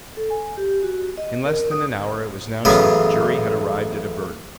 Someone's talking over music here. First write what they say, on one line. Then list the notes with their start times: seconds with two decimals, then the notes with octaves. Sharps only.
In less than an hour it was announced that the jury had arrived at a verdict.
0.17 A4
0.30 G#5
0.57 G4
0.83 F#4
1.17 D#5
1.45 A#4
1.71 D#6
2.65 A1 F#2 C#3 B3 G#5